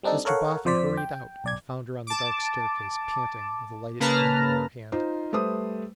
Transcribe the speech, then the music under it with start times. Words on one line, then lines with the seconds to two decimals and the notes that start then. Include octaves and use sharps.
Mr Boffin hurried out, and found her on the dark staircase, panting, with a lighted candle in her hand.
0.03 G3 C4 D4 D#4 A4
0.25 A4 A#4 C#5 F5 F#5
0.65 F2 F3 C5 D5 B6
0.97 G5
1.44 B1 D5 G#6
2.07 A5 D6
4.00 C#3 A#3 B4 A5 A#5 F6
4.92 D#4 F4 C5
5.32 G3 A3 B4 C5 D#6